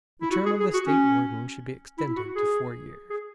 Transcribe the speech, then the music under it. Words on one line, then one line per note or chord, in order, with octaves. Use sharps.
The term of the State Warden should be extended to four years.
E4
F#4
G#4
G#4
F#4
C#4
E4
F#4
G#4
G#4